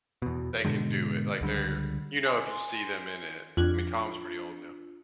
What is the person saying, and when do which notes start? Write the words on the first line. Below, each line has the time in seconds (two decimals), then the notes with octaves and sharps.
they can do it. Like they're, you know, if you see them in it. I mean, Tom's pretty old now,
0.22 E2 B2
0.65 G#2 B2 D3 G#3
1.41 C#2 D3 G3
2.26 G#5 C6 C7
3.57 F2 D4 F4 F#6 G#6